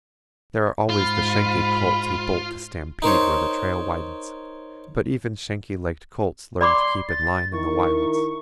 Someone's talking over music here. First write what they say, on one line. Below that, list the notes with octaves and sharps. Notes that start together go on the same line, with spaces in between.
There are always the shanky colts who bolt to stampede where the trail widens; but even shanky-legged colts learn to keep in line in the wilds.
G#2 F4 B5
D#4 A#4 C5 C#5
D5 B5 C6 D6
A6
D#3 E4 A#4 C#6